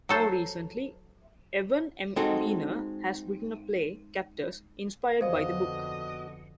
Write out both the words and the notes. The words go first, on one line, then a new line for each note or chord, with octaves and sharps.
More recently, Evan M. Wiener has written a play, "Captors", inspired by the book.
F#3 A4 C5
G#3 C4 D#4 F#4 A4
F2 D3 B3 F#4 C5 D#5 F5